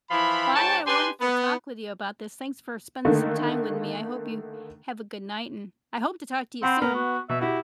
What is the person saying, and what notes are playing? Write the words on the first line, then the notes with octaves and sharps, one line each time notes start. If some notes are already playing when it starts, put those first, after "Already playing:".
Well, I had a wonderful talk with you about this, thanks for spending some time with me, I hope you have a good night, and I hope to talk to you soon.
E3 F3 E4 F4 B5
G#2 C#5 G5 A5
D4 G4 B4 G#5 C6
B3
D3 D#3 A3 A#3
C4 F#5 B5 C6
B3 A#4
F#4
B2 E5
E4 F#4 G4